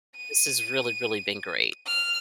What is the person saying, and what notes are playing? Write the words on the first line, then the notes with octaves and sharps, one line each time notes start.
this has really, really been great.
D#7
F6